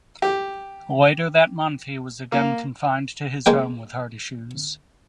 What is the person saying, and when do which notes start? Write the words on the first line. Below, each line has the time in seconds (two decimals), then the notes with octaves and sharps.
Later that month he was again confined to his home with heart issues.
0.22 G4
2.32 A#3
3.46 G#3 A#3 G5